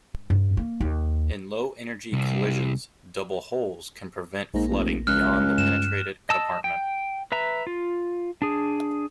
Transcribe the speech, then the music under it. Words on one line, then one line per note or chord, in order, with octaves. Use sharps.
In low-energy collisions, double hulls can prevent flooding beyond the penetrated compartment.
G2
A#3
D#2
C2
A#1 G#2 A#3
F1
C#2 F6 F#6
G2 E7
D#5 A5 E6
G5
B4 E5 A#5
F4
D4 G#4